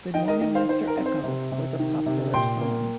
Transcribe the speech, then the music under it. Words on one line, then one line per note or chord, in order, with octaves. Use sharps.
"Good Morning, Mister Echo" was a popular song.
D#3 D#5 G5
A#4 D#5
D#3 A#4 D#5
C5 F5
D#3 C5
A#4
C4
C5
C3
C3
D#3
C3
A#2 G5 C6
A#3